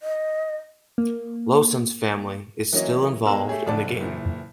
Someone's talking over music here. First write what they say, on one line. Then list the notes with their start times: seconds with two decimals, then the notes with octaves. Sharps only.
Lowson's family is still involved in the game.
0.01 D#5
0.98 A#3
2.73 E3 F#3 A#3 C#4 C#5 D#5
3.25 B2 G#3 A#4 E6 E7
3.48 A3 G4 G#4 C#5
3.66 F#1 F2 D3 D4 D5 A5
4.00 F#1 A#2 E3